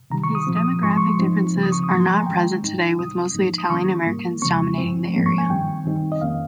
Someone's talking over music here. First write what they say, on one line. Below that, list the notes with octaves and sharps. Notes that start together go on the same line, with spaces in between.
These demographic differences are not present today with mostly Italian-Americans dominating the area.
C3 D#3 G3 A#5
C#6
D#6
A#2 F3 C4
D#6
G#2 F3 G#3 C#6
C6
C#6
G#2 F3 C4 D#4
C#3 F3 C4
D#6
C#6
D#6
G#2 F3 A#3 C#6
C6
A#5
G#5
G2 D#3 G#3 C#4 G5
G#2 G3 C4 D#4
C3 G3 C4 D#6
G#2 F3 A#3 D#4
D#6
D#3 G3 A#3 C#4 C#6
G#2 G3 A#3
F2 C#3 F3 G#3 C4 C#6
G2 F3 C4
G#2 F3 A#3 C#4
C#6
G#5
G2 D#3 G3 C4 G5
D#3 G3 C4 D#4
D#5
F2 D#3 A#3 C#4 F5